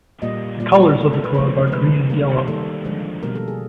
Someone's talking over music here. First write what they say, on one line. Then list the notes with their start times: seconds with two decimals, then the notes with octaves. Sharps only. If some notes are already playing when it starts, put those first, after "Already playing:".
The colours of the club are green and yellow.
0.22 A#2 G3 A#3 D#5
0.60 A#2 G3 A#3 D5
0.98 B2 G#3 A4
1.13 A#4
1.24 B4
1.34 C#3 F3 A3 C5
1.67 C5
1.72 C3 D#3 G#3 B4
2.10 D#3 G3 A#3 A#4
2.48 D#3 G3 A#3 A4
2.84 D3 F3 G#3
3.23 B2 G3 A#3 A#4
3.35 A4
3.48 G#4